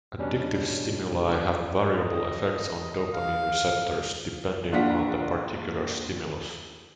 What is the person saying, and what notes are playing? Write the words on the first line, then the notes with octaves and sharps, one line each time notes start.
Addictive stimuli have variable effects on dopamine receptors, depending on the particular stimulus.
E2 B2 G3 C#4 D4
D#5
F5
A#1 D4 F4 F#5 B6